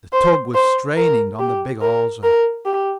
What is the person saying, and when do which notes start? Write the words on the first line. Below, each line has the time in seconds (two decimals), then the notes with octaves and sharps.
The tug was straining on the big hawser.
0.13 C5
0.54 C5
0.97 A#4
1.39 G4
1.81 A#4
2.23 A#4
2.66 G4